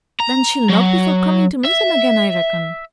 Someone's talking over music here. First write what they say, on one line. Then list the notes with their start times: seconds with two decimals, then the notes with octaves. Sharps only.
'Then she'll not be for coming to Milton again, I reckon.'
0.20 A#5
0.69 F#3
1.65 E5